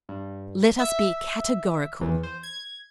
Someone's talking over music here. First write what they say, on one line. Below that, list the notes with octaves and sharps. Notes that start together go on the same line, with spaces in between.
Let us be categorical.
G2
E5
E2
C5
G#6